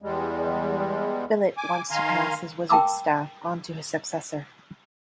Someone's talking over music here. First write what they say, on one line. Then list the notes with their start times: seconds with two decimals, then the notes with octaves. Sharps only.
Billet wants to pass his wizard's staff on to his successor.
0.02 E2 G3 G#3
1.57 G#5 D6
1.91 D#3 F5 G#5 A#5 C6
2.69 A#4 G5 A5 B5 D6 E6